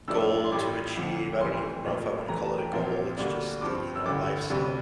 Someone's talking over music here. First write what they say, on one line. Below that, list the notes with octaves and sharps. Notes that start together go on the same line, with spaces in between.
goal to achieve. I don't even know if I wanna call it a goal, it's just the, you know, life stuff.
G2 F3 A3 D4 E6
C6
A1 A2 G3 D6
F2 D3 F3
F2 E3 G3 C4 C6
A#1 A#2 F3 A3
E2 E3 A3 A#5
A5
G5
A#1 A#2 F3 C4 F5
D2 D3 G3 A#3 D4
G2 F3 C4 D6
E6
A1 G2 D3 D6
D2 C3 G3